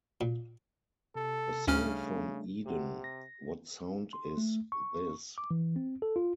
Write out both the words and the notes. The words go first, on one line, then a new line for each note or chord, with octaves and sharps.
A song from Eden, What Sound is This?
A#2
C3 A4
D2 C#3 G3 A3 C#4 D4 F6
C3 G4 F#5
A#6
C6
A3
C#6
D6
E3
C4
A4
F4